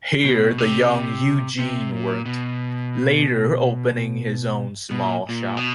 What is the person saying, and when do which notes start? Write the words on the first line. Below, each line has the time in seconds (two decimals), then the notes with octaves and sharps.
Here the young Eugene worked, later opening his own small shop.
0.25 B2
0.58 C3
1.59 C3
1.91 A#2
2.26 B2
4.91 B2
5.03 A#2
5.29 A#2
5.57 B2